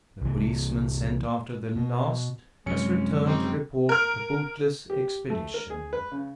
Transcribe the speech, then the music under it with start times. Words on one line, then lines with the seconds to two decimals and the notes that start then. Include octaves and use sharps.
The policeman sent after the last has returned to report a bootless expedition.
0.22 C2 E3
1.76 B2
2.66 F#2 C3 F3 G#3 C#4 C#7
3.26 C4 D#4 G4
3.89 A#4 F6
4.90 G4
5.30 A3
5.54 A#4
5.70 G#4
5.93 B4
6.12 C#3